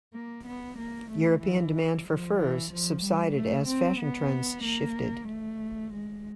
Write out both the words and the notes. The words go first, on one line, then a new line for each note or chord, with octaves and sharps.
European demand for furs subsided as fashion trends shifted.
A#3
B3
A#3
A3
E3
F3
E3
F3
G3
A3
C4
B3
A#3
A3
G#3